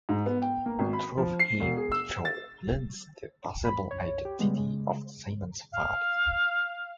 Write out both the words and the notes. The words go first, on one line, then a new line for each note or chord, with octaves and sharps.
Through him, Joe learns the possible identity of Simon's father.
G#2
B3
G5
A#3
G#1
B5
F3
C7
E1
G#4
E6
A6
E2 B5
C2 F#2 C#5
G4
C#3 G3 G#3 B3
C#3 G#3
F5